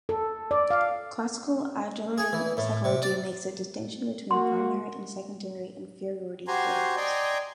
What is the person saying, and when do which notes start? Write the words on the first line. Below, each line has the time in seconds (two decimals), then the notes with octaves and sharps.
Classical Adlerian psychology makes a distinction between primary and secondary inferiority feelings.
0.09 A4
0.51 D5
0.71 F5
2.18 G#4
2.33 E3
2.57 A2
2.84 C3
3.03 D5
4.31 A#3 F#4 C6
6.48 F#4 G4 C5 G#5 A#5 C6
6.97 D5 D#5 G5 G#5 A#5 C6